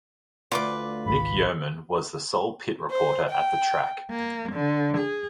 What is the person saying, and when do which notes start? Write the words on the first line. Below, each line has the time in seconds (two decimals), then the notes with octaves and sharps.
Nick Yeoman was the sole pit reporter at the track.
0.52 D2 F4 B4 D5 D6
1.06 G#1 C#2 D#3 B5
2.90 C5
3.29 G5
4.10 A#3
4.52 D3
4.96 G#4